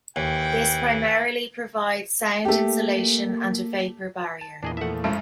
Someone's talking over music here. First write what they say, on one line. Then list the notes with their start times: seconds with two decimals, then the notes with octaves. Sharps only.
This primarily provides sound insulation and a vapour barrier.
0.16 D#2 E3 G5
2.45 A3 A#3 G4
4.41 A5
4.63 E2 A#2 D4 G#4 D#5
4.77 F3 A3 E5 F#5
5.04 F#2 F3 G#3 A3 E4